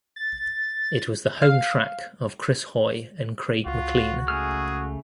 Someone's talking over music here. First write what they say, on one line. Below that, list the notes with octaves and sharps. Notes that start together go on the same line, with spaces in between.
It was the home track of Chris Hoy and Craig MacLean.
A6
F5
C#2 F4 F#4
C#3 A3 G#4 F6